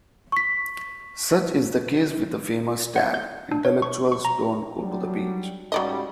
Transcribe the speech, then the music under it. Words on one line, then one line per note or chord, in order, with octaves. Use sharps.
Such is the case with the famous tag: Intellectuals don't go to the beach.
C#6 B6
F#5
G6
D4
C#5
C#6
C#6
A#5
F#3 G3 D4
G#2 C#3 F#3 G3 D5 D#5